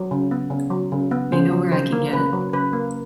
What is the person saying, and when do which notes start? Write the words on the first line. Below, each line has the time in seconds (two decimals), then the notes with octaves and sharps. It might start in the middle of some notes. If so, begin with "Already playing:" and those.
You know where I can get it?
Already playing: F#3
0.11 C#3
0.31 B3
0.50 C#3
0.71 F#3
0.92 C#3
1.11 B3
1.32 C#3 C5
1.52 F#3
1.72 C#3 C5
1.92 A#3
2.13 C#3 B4
2.33 F#3
2.53 C#3 B4
2.73 A#3